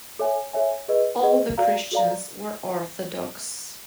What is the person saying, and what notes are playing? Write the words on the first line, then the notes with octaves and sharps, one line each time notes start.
All the Christians were Orthodox.
A4 C#5 E5 G#5
A4 C#5 E5 G#5
G#4 B4 D#5
G#4 B4 D#5
F#4 A4 D5 F5 A#5
F#4 A4 D5 F5 A#5